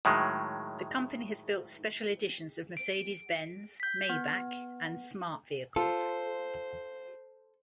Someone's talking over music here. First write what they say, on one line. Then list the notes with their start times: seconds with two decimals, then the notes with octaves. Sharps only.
The company has built special editions of Mercedes-Benz, Maybach, and Smart vehicles.
0.05 A2 D#3 F#3 G#3
2.77 D7
3.80 G6 B6
4.09 B3
5.76 F4 A4 C5